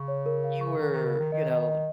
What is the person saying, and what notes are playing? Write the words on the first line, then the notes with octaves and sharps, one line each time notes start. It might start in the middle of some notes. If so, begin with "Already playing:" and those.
you were, you know,
Already playing: C#3 C#6
C#5
A#4
F5
C#6
D#3 A#4
D#3 A#4
C#3
D#3 A#4
D#3 D#5
D#5
D#5